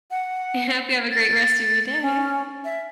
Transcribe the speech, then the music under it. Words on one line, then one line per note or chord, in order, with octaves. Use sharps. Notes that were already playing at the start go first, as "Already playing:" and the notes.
I hope you have a great rest of your day.
F#5
A6
C#4
E5